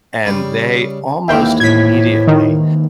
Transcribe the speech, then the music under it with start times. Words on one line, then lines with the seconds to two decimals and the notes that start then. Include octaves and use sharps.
and they, almost immediately
0.26 C#3 G3
1.28 D#2 G#2 E3 E5 F5 G5
1.60 A2 G#6 B6
2.27 D#3